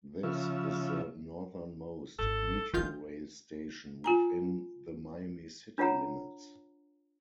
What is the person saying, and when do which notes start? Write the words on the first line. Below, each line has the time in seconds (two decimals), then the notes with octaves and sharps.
This is the northernmost Metrorail station within the Miami city limits.
0.23 C#3 F3 E5
2.19 G#1 A4
2.74 D#3 F#3 G#3 F4 G6
4.04 F4 G#5 A#5
5.78 D4 F4 C#5 F#5 A#5